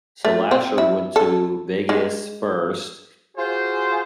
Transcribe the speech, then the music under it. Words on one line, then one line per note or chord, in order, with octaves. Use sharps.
So last year we went to Vegas first,
A3
C4
E4
A4
G#3
F4 F#4 G#4 C5